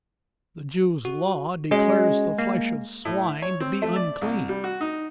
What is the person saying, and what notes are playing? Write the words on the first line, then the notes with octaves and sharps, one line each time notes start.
The Jews' law declares the flesh of swine to be unclean.
F#4
G#3 C#4 F#4 G#4
A#3
A2
C#5
C4
A3
D5
C2
G3
F#4
D#4